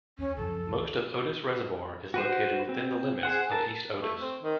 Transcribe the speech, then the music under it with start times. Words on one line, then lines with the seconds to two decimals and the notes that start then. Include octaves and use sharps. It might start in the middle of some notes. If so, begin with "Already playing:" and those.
Most of Otis Reservoir is located within the limits of East Otis.
0.19 D#2 C#4
0.37 C#2 F#2 F3 A4
2.14 F#4 B4 C5
2.69 C4
3.23 G#4 C5 F#5
3.52 A4 A#4 A5
4.02 A3
4.20 C4
4.43 D#3